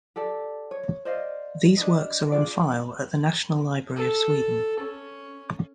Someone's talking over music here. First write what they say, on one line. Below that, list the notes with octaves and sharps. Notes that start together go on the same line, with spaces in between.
These works are on file at the National Library of Sweden.
G4 A4 D5
C#5
C5 D5 D#5 F5
D4 F#4 B4 D#5
D4 F4 G#4 D5
A4
C#4